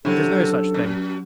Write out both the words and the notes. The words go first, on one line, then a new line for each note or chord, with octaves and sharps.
It is no such thing.
C3 F#3 C#4 D4 E4 A4
F#2